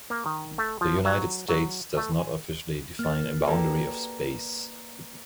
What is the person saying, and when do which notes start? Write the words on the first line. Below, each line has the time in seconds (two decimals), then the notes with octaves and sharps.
The United States does not officially define a "boundary of space".
0.10 A#3
0.26 D#3
0.58 A3
0.81 F3
1.05 F#3
1.48 F#3
1.97 A3
2.19 G#5
2.99 A#3 F6 A6
3.47 F#4 G4 A4 B4 D5 A#5